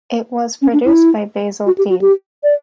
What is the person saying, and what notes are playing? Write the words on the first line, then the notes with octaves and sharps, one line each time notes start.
It was produced by Basil Dean.
C#4
D4
E4
F#4
G4
F#4
G4
D5